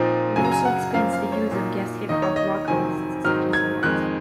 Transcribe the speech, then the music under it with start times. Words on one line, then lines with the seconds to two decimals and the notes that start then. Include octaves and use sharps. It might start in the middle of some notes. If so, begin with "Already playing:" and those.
It also expands the use of guest hip-hop vocalists such as What?
Already playing: A#2 F3 C4 D#4
0.36 F#2 C#3 F#3 G#5
0.45 A#5
0.52 G#5
0.65 F#5
0.94 F#2 F3 A#3 F5
1.13 F5
1.32 C#5
1.51 A#2 F#3 A#3 D#4
2.09 D#2 D#3 A#3 D#4 D#5
2.22 C#5
2.36 D#5
2.68 F2 C3 D#3 F#3 C4 G#5
3.24 G#2 D#3 F#3 C4 D#4 F6
3.53 G#6
3.83 F2 D#3 G#3 F#6